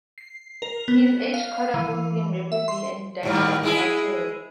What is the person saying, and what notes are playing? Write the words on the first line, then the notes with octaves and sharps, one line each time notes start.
His age caught up with him rapidly and he died shortly afterwards.
C7
A#4
B3
F5
E3
E5
C6
D#2 G#2 G3
G#3 E4 G#4